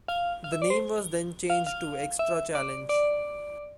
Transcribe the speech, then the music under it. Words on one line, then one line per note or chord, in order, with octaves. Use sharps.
The name was then changed to "Extra Challenge".
F5
F5
E5
D5
C5
F5
F5
E5
D5
D5